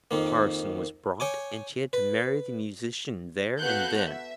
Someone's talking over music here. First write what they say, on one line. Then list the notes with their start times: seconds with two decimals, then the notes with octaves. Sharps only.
A Parson was brought, and she had to marry the Musician there and then.
0.11 F2 D#3 A#3
1.20 C#5 G5 G#5 D6
1.93 B4
3.59 B3 F#4 A4 F5 F#6 G6
4.03 E5